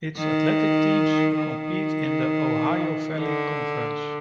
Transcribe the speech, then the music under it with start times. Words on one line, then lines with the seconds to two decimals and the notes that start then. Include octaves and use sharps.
Its athletic teams compete in the Ohio Valley Conference.
0.17 D#3
1.37 D#3
3.17 D3